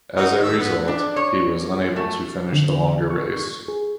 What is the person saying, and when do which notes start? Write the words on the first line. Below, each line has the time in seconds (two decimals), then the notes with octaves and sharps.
As a result, he was unable to finish the longer race.
0.16 D#4 F#4
0.42 D#3 A3 E6
0.58 B3
0.88 D4
1.16 C#5
1.96 A3
2.53 D3
3.10 C#6
3.68 G#4